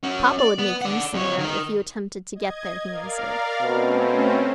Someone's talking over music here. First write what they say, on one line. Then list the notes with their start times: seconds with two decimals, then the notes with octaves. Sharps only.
'Papa would make you sing out, if you attempted to get there,' he answered.
0.03 C#4 F#4
0.39 D5
0.58 B3
0.82 D5 F#5
1.13 F2 C#5
1.38 D#3 A#4
2.35 D#5 G#6
2.90 A#4 D5 F5
3.61 B2 A3 C4 C#4